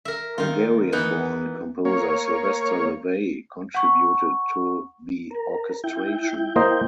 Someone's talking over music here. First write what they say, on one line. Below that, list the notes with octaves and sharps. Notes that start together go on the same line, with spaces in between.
Hungarian-born composer Sylvester Levay contributed to the orchestration.
A#4 E5
D#3 F4
E3 B3 D#4 B4
A#3 C#5
F#5 C#6
A#4
E4 G5
A#3 C5 D#5